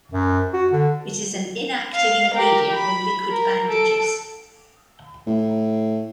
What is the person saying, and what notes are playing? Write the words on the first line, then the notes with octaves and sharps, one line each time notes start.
It is an inactive ingredient in Liquid Bandages.
F#2
F#4
D3
F5
G4 A#4
B5
A#4
A4 D7
A2